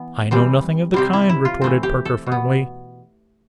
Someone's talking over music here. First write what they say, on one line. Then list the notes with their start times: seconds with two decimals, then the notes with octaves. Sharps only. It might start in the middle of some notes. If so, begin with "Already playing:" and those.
'I know nothing of the kind,' retorted Perker firmly.
Already playing: E3 B3
0.31 E3 G3 C4
0.94 C3 G3 C4 G4
1.13 E4
1.29 E4
1.45 F4
1.62 E3 A3 C4
1.83 G4
2.05 A4
2.27 B2
2.32 B3